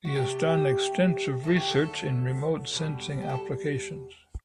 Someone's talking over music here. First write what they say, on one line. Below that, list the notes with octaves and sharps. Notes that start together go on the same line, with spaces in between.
He has done extensive research in remote sensing applications.
F#4
C3 F#3 A3 G4
D3 F#3 A3 A4
G4
A4
B2 G3
G4
A4